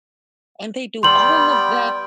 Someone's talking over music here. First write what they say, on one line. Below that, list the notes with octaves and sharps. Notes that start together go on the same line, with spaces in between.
and they do all of that
G3 B3 G5 C6 F#7